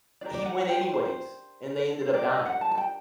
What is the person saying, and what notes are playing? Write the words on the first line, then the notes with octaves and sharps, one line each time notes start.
he went anyways, and they ended up dying.
D4 G4 A#4 D5
D5
F#5
F#5
G5
C5
C5
C5
C5
D4 G4 A#4 D5
D#5
F#5
A5
A5
G5